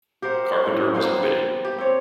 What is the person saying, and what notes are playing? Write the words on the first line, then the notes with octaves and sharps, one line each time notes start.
Carpenter was acquitted.
G4 A#4 C5 F#5
A2
G3 A#3 B3 C5
G4
C4 C#5